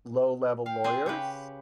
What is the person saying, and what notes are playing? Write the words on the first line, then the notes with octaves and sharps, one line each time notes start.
low-level lawyers,
F5 G5
C4 G#4 C5
C#3 G4 B4